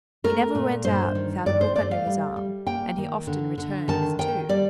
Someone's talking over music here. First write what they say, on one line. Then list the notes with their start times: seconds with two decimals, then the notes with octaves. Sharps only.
He never went out without a book under his arm, and he often returned with two.
0.24 A3 A#4
0.55 A#2
0.84 G2 C5
1.15 D#3
1.46 G2 D5
1.61 C5
1.76 A3 D5
1.91 F5
2.06 G3
2.36 G3
2.67 A#3 G5
2.98 D#3
3.27 D3
3.58 D3
3.88 D#3 A5
4.19 D#3 G5
4.49 G3 D5